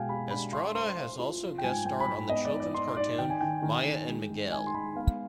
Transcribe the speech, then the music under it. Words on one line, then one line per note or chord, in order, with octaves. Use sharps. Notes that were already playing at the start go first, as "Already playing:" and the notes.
Estrada has also guest-starred on the children's cartoon "Maya and Miguel".
Already playing: B2 G#3 F5 G5 G#5
G4 B5
D4 B5
F5 C6
C5 C6
F5
F4
F3
G5
G#2 G#5
G#2 G5
B5
G#2
B5
B3 D#5
D5
D#4
D5
D#4 C6
D#4 D5
D#3 G5
G#5
D#3 G5
D#3
D#3
G#3
G#3
D#4 G#5
C6
G#3 B5
B3 F5